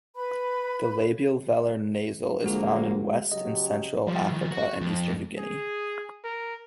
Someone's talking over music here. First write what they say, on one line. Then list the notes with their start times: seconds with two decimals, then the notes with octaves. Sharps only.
The labial-velar nasal is found in West and Central Africa and eastern New Guinea.
0.15 B4 B5
2.44 D3 F3 G#3 A#3 F#4 G#4
3.32 C#3 F#3 G4 D#5
4.07 F3 G3
4.31 D#3 F3
4.51 F#4
4.81 F2
5.38 G#4
6.24 A#4